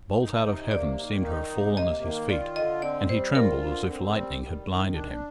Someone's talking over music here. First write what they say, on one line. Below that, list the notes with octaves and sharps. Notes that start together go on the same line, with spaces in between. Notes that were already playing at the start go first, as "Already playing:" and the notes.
A bolt out of heaven seemed to have fallen at his feet, and he trembled as if lightning had blinded him.
D#4
C3
A#3 D5
D#3
D#4
C3
A#3 D#5
D#3
F4 D5
D3 D#5
C4 D5
G3 C5
F4 A#4
D3
C4
G3
D#3
D#3
D4